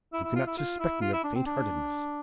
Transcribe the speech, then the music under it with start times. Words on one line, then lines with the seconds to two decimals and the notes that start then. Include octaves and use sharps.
You cannot suspect me of faint-heartedness.
0.13 E4
0.24 E4
0.36 F4
0.47 E4
0.57 F4
0.80 E4
1.01 F4
1.13 E4
1.24 D4
1.35 C4
1.46 D4